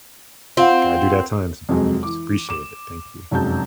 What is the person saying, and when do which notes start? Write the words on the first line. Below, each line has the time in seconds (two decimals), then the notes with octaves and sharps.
gotta do that time sometimes. Appreciate it. Thank you.
0.57 C4 F4 F5 F#5
1.69 F2 C3 F#3 G#3
2.03 E3 D6
2.49 D6 E7
3.31 F1 F#2 G#3 A5 G6